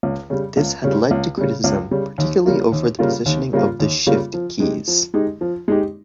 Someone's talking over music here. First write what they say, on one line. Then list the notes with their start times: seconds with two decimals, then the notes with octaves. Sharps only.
This has led to criticism, particularly over the positioning of the "Shift" keys.
0.03 C#2
0.30 C#3 G3
0.57 C#2
0.84 C#3 G3
1.11 C#2
1.37 C#3 G3
1.64 C#2
1.91 C#3 G3
2.18 D#2
2.45 C#3 G3 A#3 F4
2.72 D#2
2.99 C#3 G3 A#3 F4
3.26 D#2
3.53 C#3 G3 A#3 F4
3.80 D#2
4.07 C#3 G3 A#3 F4
4.33 F3
4.60 G#3 D#4 G4
4.87 F3
5.14 G#3 D#4 G4
5.41 F3
5.68 G#3 D#4 G4